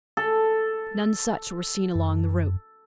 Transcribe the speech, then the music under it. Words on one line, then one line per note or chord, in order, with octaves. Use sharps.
None such were seen along the route.
A4
F#2